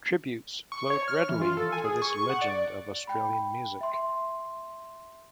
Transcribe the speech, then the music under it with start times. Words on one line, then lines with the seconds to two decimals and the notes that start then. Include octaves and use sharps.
Tributes flowed readily for this legend of Australian music.
0.72 C#6
0.90 C#5
1.08 F6
1.29 E3
1.41 F4
1.57 A4
1.72 G#5
1.85 G#4
2.02 C#6
2.29 F#5
2.42 D5
3.07 G5 B5
3.81 E5 C6